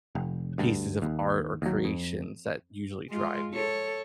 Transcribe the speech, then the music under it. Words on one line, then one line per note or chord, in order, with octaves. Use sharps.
pieces of art or creations that usually drive you.
F1
D2 G2
D#2
D#2 F#3
F2
G#3 F4
A4 C#5